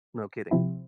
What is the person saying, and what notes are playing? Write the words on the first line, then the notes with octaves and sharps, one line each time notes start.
No kidding.
C3 F3 C4 E4